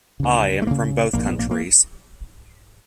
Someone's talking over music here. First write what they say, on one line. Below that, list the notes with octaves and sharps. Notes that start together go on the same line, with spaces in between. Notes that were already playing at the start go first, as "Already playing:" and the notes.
I am from both countries.
D2 C#3
A3
D2 C#3 A#3
A#1 G#2 A#3
B3
A#3
A#3